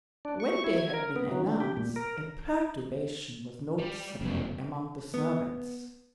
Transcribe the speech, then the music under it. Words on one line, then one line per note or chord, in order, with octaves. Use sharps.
When they had been announced a perturbation was noticeable among the servants.
D4
C#6
E4
G#6
A#4
B3
F#3
D3
G4
A#2
A#4
G3
F1 F#2 C#3 G3 B3
B3